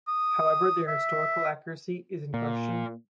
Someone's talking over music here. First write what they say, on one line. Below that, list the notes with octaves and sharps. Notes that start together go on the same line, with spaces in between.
However, their historical accuracy is in question.
D#6
E5
A#2